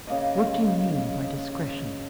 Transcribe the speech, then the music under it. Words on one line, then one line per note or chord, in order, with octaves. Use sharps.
"What do you mean by discretion?"
C#3 A#3 D#5